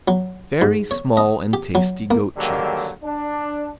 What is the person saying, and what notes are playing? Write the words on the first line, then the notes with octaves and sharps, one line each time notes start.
Very small and tasty goat cheese.
F#3
G#2
C#5
D#5
G4
F#3
A#3
G#2 D3 D#3 F#3 G3 A#3
D4